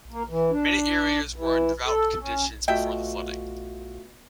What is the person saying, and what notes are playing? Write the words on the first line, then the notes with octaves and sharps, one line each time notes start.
Many areas were in drought conditions before the flooding.
A#3
E3
D4
E3
A4
C#4
B2 A3 F4 F#4 E5 G5